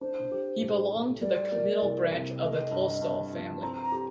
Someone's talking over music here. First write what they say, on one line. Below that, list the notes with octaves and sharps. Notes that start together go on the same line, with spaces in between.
He belonged to the comital branch of the Tolstoy family.
D4 C5
G4
A2
A3
G3 D5
A#3
C2
C3
A3 D#5
G2
G2
F3
C4 A#5
A#5
G4